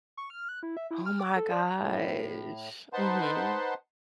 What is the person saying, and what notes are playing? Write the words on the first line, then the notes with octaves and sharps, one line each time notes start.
Oh my gosh. Mhm.
C#6
F6
F#6
E4
E5
E4
F6
D6
A4
D5
A2
D#4 B4 C5 F#5 A5 C6